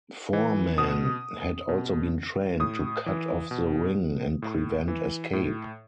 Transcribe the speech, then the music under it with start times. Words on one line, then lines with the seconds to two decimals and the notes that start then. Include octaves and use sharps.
Foreman had also been trained to cut off the ring and prevent escape.
0.33 E3
0.78 B2 D#6
1.69 B2
2.60 A2 D#6
3.06 E3
3.51 B2
4.42 A2
4.88 E3
5.33 A2